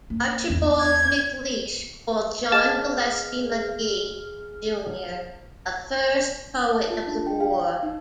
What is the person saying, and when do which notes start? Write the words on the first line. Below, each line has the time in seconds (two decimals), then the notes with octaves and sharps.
Archibald Macleish called John Gillespie Magee, Junior "the first poet of the war".
0.10 A#3
0.50 E2
0.79 G#6
2.52 G#4 D#5 F5 A5 F6
6.73 A5
6.90 F4
7.07 D4
7.27 G5
7.40 F5
7.83 D#4